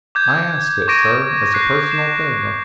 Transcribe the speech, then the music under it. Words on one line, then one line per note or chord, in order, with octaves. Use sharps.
I ask it, sir, as a personal favor.'
D6 G6 G#6
C#6 D6 G#6 A#6 D7 D#7
F#6 A#6 C7
C7 E7